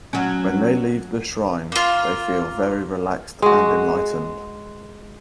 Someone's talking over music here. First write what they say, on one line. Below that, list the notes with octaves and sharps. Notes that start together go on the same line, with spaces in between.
When they leave the shrine they feel very relaxed and enlightened.
F#3 C#4
A#3 F4
G#3 F#4